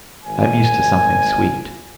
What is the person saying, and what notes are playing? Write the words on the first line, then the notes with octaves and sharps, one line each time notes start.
I am used to something sweet.
G#1 G#5